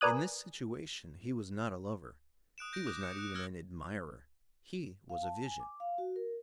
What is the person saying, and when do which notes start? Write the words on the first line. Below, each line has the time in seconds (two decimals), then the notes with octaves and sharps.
In this situation he was not a lover, he was not even an admirer, he was a vision.
0.01 A#4 B4 D5 G#5 D#6 F#6
2.58 D#6 F#6 D7 E7
2.73 G6 A#6 D7
2.87 D6 D#6 F#6 G6
3.01 G6 C#7
3.19 F#6
3.34 E6 F6 G#6 A#6
5.10 F5
5.23 A5
5.45 G#5
5.60 D6
5.80 F5
5.98 F#4
6.16 A#4